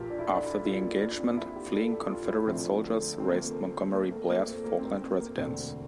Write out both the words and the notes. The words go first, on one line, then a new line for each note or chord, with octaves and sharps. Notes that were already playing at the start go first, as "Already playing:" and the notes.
After the engagement, fleeing Confederate soldiers razed Montgomery Blair's Falkland residence.
Already playing: A#1 A#2 A3 F4 G4 A4 A#4
D4
E4
D4
E4
F4
A#3
A#3
D4
C4
E4
G4
A4
G4
F4
E4
D2 D3 F3 A3 C4
A3
C4
A#3
A3
A#3
A#3
A3
A#3
A3
A#3
C4
A#3
C4
A#3
E1 D2 D3 C4